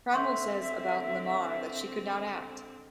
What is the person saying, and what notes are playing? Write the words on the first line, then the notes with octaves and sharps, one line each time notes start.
Cromwell says about Lamarr that she could not act.
D3 C4 E5 C6 C#6 G6